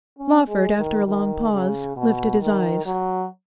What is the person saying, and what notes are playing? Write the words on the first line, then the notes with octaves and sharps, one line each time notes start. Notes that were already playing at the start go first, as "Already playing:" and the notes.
Lawford, after a long pause, lifted his eyes.
C#4
G#3
D#3
D#3
C#3
B2
D#3
F#3